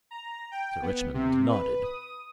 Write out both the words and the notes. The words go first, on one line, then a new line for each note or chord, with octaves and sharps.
Sir Richmond nodded.
A#5
G5
B3
C3
B4
D#6